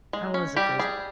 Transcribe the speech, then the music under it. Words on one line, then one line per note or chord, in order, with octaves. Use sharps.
that was it crazy
G#3
C#4
G3 G4
G3 G#4